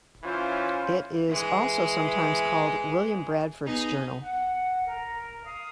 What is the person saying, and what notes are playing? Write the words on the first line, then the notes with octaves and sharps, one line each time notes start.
It is also sometimes called "William Bradford's Journal".
E3 C#4 E4 F4 C5
E3 G#3 G#4
B3 D#4 G#4
F#5
A#4
F5 D#6